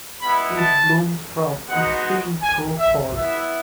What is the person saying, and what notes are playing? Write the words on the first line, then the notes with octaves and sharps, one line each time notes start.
It blooms from spring through fall.
G#3 B3 E4 B5
A5
G#3 B3 D#4 F#4 F#5
G#5
E5
B3 E4 E5